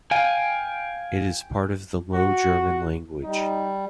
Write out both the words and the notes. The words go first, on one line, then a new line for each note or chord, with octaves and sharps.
It is part of the Low German language.
F5 G5 G#5
F#4
G3 D#4